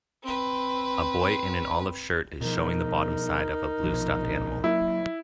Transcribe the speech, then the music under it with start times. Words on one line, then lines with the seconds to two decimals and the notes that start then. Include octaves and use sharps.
A boy in an olive shirt is showing the bottom side of a blue stuffed animal.
0.23 C4 B4
2.41 B2 F3 D#4 A#4
3.84 A#1 B2 F3
4.64 F#3 A#3 E4